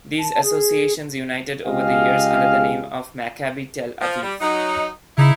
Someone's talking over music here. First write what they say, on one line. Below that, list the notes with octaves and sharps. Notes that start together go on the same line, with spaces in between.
These associations united over the years under the name of Maccabi Tel Aviv.
A5
G#4
C#2 G4 G#4 D#5 F5
F3
G3
F#3 D#4
C#3 D#4 E4